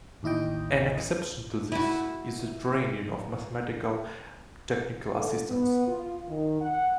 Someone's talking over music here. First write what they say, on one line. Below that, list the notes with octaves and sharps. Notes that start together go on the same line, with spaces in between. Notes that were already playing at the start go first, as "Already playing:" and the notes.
An exception to this is the training of mathematical-technical assistants.
A1 D#2 E4 D#5 G5
E4 F#4
D3
B3
F4
D#3
F#5